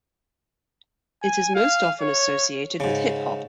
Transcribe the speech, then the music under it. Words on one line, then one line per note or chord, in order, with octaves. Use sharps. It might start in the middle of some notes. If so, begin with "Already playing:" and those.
It is most often associated with hip hop.
G#5
F5
C#5
G#2 C#3